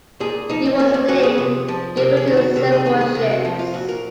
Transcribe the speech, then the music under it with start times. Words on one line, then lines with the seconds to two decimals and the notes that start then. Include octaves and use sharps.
It was the name given to several ships.
0.20 A#2 G#4
0.49 F3 D#4
0.65 C4
0.79 A#2 A#3
0.94 C4
1.08 F3 F#4
1.23 G#4
1.38 C3
1.68 F3
1.97 C3 A#4
2.17 G#4
2.28 D#3
2.37 F#4
2.56 C3 A#4
2.72 G#4
2.86 D#3 G#4
3.01 G#4
3.15 C3 A#4
3.31 F#4
3.45 F3 F4
3.59 F4
3.74 A#2 F#4
3.89 A#4